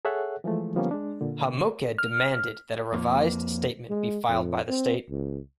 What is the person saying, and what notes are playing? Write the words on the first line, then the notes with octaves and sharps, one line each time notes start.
HaMoked demanded that a revised statement be filed by the state.
G#4 A4 C#5 E5 F#5 F#6
E3 F3 G#3 A3
D3 F3 G3 A#3 B3 C#4
G#3 D4
A#2 D3
F6
F2 A#3
G#3
F2
C4
C#2